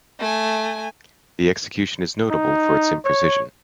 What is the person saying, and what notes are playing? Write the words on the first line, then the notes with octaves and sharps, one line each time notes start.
The execution is notable for its imprecision.
A3 G#5
D#4
C#5